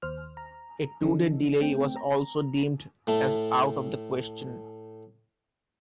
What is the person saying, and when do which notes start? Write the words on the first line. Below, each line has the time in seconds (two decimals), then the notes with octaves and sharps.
A two-day delay was also deemed as out of the question.
0.02 D#2 C5 F6
0.37 A#5
1.02 D3 E3 F3 C#4 D#4 A4
1.61 A3 C4 G5
1.96 A#5
3.07 A2 A3